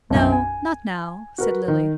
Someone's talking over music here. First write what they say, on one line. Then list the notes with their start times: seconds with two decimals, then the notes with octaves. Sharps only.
"No, not now," said Lily.
0.10 B1 F#2
0.32 G#5
1.38 F#4 A#4 B4
1.68 D#3